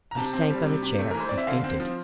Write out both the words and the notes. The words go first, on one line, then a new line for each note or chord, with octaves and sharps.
I sank on a chair and fainted.
A#5
C3 A5
C4
G3
C3
C3
A3
E3 A#4
C5
C4 D5
E5
D3 F5
C4
F3